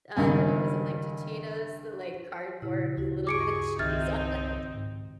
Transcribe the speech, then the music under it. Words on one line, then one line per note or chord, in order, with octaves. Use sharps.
I don't know, is it like Totino's, the, like, cardboard with a little bit of cheese on it.
G1 C#2 G2 D#3 G#5
A#2 C#3 E4
D2 E4 F#4 G4
G2 G#4 C#6 D6 C#7 D7
C2 D#3 C4 D#4 E5 F6 G#6 A6
G#2